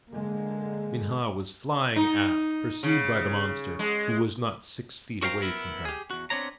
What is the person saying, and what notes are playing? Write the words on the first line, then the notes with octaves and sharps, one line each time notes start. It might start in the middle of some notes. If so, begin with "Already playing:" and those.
Minha was flying aft, pursued by the monster, who was not six feet away from her.
D3 G#3 A#3
D#4
C#3
G#3
F#4 A#4 C5 F5 G5 A#5
B3 E4 A#4
G4 G#4
E2 F#4
B3 C4 D4 C#5 A#5